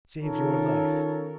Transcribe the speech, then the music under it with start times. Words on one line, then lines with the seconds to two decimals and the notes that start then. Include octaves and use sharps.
Save your life!
0.21 D#3 C#4 F4 A4 A#4 C#5